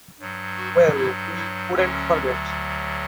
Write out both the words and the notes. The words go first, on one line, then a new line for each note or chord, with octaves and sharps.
Well, we couldn't forget.
G2 F#3
F#4
E4
E4
D2 D3 F#3 C#4